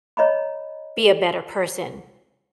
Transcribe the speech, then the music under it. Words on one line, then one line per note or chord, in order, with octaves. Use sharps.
be a better person.
C#5 D#5 A#5 B5